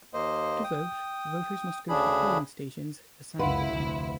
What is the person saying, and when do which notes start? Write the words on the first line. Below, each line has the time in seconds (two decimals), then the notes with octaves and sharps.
To vote, voters must go to the polling stations assigned to them.
0.14 D#2 A#3 C5 D#5
0.64 G5 D#6
1.89 D2 C#3 D4 G#4 B5
3.39 C#2 F#2 E4 B4 F5 F#5 C6
3.71 F1 D2